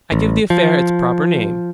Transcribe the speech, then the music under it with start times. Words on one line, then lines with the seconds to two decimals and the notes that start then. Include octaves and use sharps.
I give the affair its proper name.
0.12 A1
0.50 F3